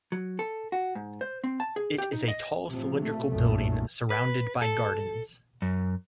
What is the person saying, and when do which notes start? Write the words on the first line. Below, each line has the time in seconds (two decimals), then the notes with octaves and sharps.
It is a tall cylindrical building, surrounded by gardens.
0.12 F#3
0.39 A4
0.72 F#4
0.95 G#2
1.21 C5
1.44 C4
1.60 A5
1.76 G#4
1.98 G4
2.13 D#4
2.28 D#5
2.72 A2 C3 F3
3.02 A#2 A3
3.32 B1 F#2 A#2 D#3 A3
4.10 B4
4.62 A4
5.62 F#2